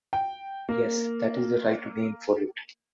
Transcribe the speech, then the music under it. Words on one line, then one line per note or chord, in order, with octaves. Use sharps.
Yes, that is the right name for it.
G5
A#3